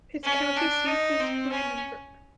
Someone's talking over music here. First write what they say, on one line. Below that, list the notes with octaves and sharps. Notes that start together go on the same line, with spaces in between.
Its county seat is Brandenburg.
C#4
D4
D#4
C4
C#4